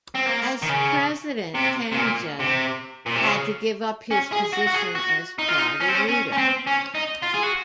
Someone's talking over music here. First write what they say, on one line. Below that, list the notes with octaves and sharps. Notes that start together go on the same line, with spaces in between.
As President, Tandja had to give up his position as party leader.
C4
A#3
D#3
C#3
C3
C3
A#2
C3
A#2
C3
C#3
C#4
G#4
F#4
F#4
G#4
F#4
D#4
F4
D#4
C#4
C4
C#4
C#4
C#4
C4
C#4
D#4
F4
G#4
F#4